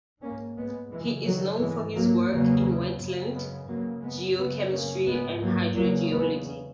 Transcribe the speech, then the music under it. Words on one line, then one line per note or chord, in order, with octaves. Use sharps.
He is known for his work in wetland geochemistry and hydrogeology.
G#2 A#3 C#4
G#3 B3
F#2 C#3 E3 G#3
D#3 F#3
G#2 E3 G#3
F#3 A#3
E2 C#3 F#3 A#3
F#2 C#3
G#3 B3
F#2 C#3 F#3 A#3
G#3 B3
F#2 C#3 G#3 B3
A#3 C#4
G#2 G#3 B3
F#3 A#3
E2 C#3 F#3 A#3
G#3 B3